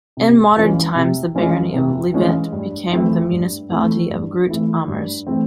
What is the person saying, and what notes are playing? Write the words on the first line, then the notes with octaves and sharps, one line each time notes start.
In modern times the barony of Liesvelt became the municipality of Groot-Ammers.
C3
E3 G#3 C#4 F4
C3
E3 G#3 C#4 F4
C3
E3 G#3 C#4 F4
G2
E3 A3 C4 E4
G2
E3 A3 C4 E4
G2
E3 A3 C4 E4
G2
E3 A3 C4 E4